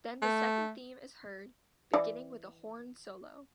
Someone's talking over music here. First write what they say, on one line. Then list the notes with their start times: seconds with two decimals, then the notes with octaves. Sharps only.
Then the second theme is heard, beginning with a horn solo.
0.22 A3
1.94 E3 D5